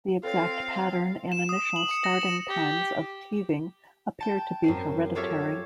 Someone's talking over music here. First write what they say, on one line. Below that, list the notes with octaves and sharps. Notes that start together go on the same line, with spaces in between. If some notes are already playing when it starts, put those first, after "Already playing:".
The exact pattern and initial starting times of teething appear to be hereditary.
C4 F4 A4 B4 C#5 F5
E7
D#6
F#7
C#7
A#6
E7
G4
G5 A5
F#2 C4 C5
F4 G4 A4 C#5 E5 F6